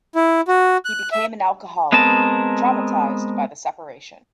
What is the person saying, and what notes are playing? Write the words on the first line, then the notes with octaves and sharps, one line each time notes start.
He became an alcoholic, traumatized by the separation.
E4
F#4
F#6
E5
G#3 B3 C4 A#4 A5